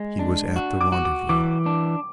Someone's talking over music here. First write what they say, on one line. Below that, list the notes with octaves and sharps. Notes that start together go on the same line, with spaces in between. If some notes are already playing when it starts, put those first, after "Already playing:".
He was at the rendezvous.
Already playing: G#3
D4
F#4
D6
F#4
D6
E3 D6
D4